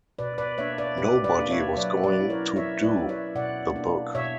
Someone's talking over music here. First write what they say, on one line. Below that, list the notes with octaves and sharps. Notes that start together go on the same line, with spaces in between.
Nobody was going to "do" the book.
B2 B4 D5
B4 D5
A#3 D4 C#5 E5
B4 D5
B2 G4 B4
B4 D5
A#3 D4
C#5 E5
F#3 B4 D5
B4 D5
C#4 E4
A#4 C#5
F#3 C#5 E5
B4 D5
C#4 E4
C#5 E5
B2 D5 F#5
A#3 D4
B2 C#5 E5